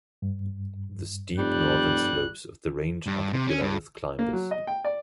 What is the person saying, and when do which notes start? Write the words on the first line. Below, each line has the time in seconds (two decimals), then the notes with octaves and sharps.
The steep northern slopes of the range are popular with climbers.
0.22 G2
1.38 F1 G3 F#6
3.06 G2
3.32 C3
3.47 C#4
3.62 G2
4.19 A#3
4.33 F#3
4.51 D#5
4.67 G5
4.85 D5